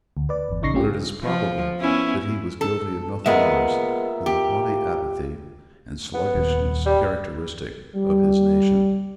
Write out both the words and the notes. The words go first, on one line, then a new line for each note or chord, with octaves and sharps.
But it is probable that he was guilty of nothing worse than the haughty apathy and sluggishness characteristic of his nation.
D2
B4 D5
G1 E2
A#1 C#3 D#4 C#6 A#6 C7
G3 A3 C4 C#4 F4 G4
F3
B3 C#4 E4
A4
G#3 B3 F4 A#4 E5
G4
B3
D#1 D#2
G3
G3